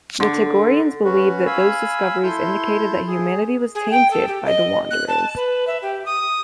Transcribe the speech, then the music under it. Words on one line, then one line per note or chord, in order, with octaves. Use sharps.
The Tagorians believed that those discoveries indicated that humanity was "tainted" by the Wanderers.
D3
C#4 F#4 B4
F5 G#5 B5 E6
E4 A4 C6 G6
G#4
G#4
G5
A4
G4
D#5
F#6
A5
B4
E5
G4
D#6